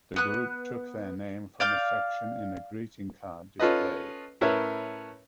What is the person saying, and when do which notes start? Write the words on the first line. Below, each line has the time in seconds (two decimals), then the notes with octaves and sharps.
The group took their name from a section in a greeting card display.
0.16 B3 F#6
1.60 D5 F5 G6
3.60 C#4 F4 A4 B4 D#5
4.41 A2 C#4 E4 A#4 B4 C#5